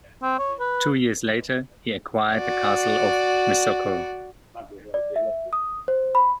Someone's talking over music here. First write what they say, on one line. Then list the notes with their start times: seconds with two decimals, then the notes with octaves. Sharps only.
Two years later he acquired the castle of Mesocco.
0.22 C4
0.39 C#5
0.60 B4
2.35 F#4 D5
4.94 D5
5.16 E5
5.53 D#6
5.88 C5
6.15 B5